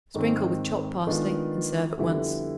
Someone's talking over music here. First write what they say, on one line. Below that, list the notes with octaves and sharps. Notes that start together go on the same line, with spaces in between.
Sprinkle with chopped parsley and serve at once.
G#2 D#3 G#3 C4
D#3 G#3 B3 D4 F4
F2 D3 G3 B3 E4